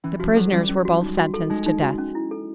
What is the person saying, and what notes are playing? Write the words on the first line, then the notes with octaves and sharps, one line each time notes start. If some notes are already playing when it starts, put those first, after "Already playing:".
The prisoners were both sentenced to death.
E3 C#4
F3 F#4
F#3 A4
G3 C#4
C#4
F#4
D#4
F#4
A4
G#3 D#4
D#4
F#4
C#4
E4
A4